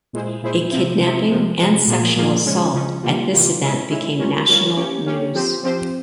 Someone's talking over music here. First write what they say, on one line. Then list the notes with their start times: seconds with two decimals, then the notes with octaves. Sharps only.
A kidnapping and sexual assault at this event became national news.
0.13 A#2 G#3 E4 G#4 C5
0.43 A#2 G#3 E4 G#4 C5
0.71 C3 F3 C4 E4
1.00 C3 F3 C4 E4
1.30 C3 F3 G#3
1.58 C3 F3 G#3
1.88 A#2 F3 A#3 F4 G#4
2.16 A#2 F3 A#3 F4 G#4
2.45 C#3 F3 G#3 C#4
2.74 C#3 F3 G#3 C#4
3.03 C3 E3 G3 A#3 F4
3.32 C3 E3 G3 A#3 F4
3.61 G#3 C#4 E4
3.90 G#3 C#4 E4
4.19 G3 C#4 F4 A#4 C#5
4.48 G3 C#4 F4 A#4 C#5
4.76 A#3 C#4 G4 C#5
5.05 A#3 C#4 G4 C#5
5.34 F3 C4 G4 C5
5.63 F3 C4 G4 C5